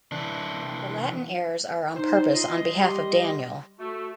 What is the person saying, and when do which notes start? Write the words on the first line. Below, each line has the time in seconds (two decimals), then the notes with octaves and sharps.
The Latin errors are on purpose on behalf of Daniel.
0.12 E3 D4
1.96 D#4 C5
2.33 F4 D#5 C6
2.74 G3
3.79 A3 F#4